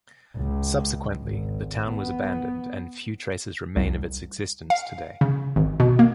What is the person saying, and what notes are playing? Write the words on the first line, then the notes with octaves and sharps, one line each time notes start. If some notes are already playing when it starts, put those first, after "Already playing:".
Subsequently, the town was abandoned and few traces remain of its existence, today.
C#2
G#1
B3
C2
F5
C#3
G#1
B2
A#3